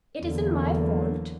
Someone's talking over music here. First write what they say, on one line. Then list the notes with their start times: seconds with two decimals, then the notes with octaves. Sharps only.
It isn't my fault.
0.20 E2 D3 F#3 A#3